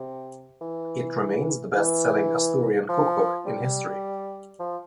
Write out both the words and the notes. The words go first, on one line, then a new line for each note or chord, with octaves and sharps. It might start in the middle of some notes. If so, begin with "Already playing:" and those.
It remains the best selling Asturian cookbook in history.
Already playing: C3
E3
E3
F3
G3
F3